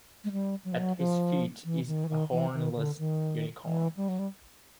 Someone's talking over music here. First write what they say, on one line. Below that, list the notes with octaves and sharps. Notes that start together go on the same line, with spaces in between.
At his feet is a hornless unicorn.
G#3
G3
F#3
F3
F#3
F3
E3
D#3
E3
D#3
E3
D#3
D3
D#3
E3
G3
F#3
G3